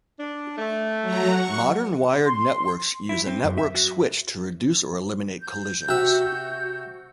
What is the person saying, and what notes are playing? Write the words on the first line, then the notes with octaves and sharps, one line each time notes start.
Modern wired networks use a network switch to reduce or eliminate collisions.
D4
A3
F#3 A#5
F#5 C#6
C6
E4
C4
F#2
E5
F#4
G6
C3 F#4 E5